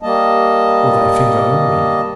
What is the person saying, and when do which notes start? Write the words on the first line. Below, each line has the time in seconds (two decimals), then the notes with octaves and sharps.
Or thy finger only!
0.02 G3 A#3 D#5 A5